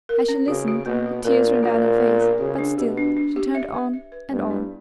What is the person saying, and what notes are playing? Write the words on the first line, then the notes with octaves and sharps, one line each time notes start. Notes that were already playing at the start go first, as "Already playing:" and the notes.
As she listened, the tears ran down her face, but still she turned on and on.
A#4
C#4
C#3 F#4
F#4
B2 A#3
F#4
A#2 A#4
D4
A#2 F#4
A#4
B3
A#4
C#3 F#4
D4
B2 G4
D4
D4
G4
E5
B4
E5
B4
G2 B3
E4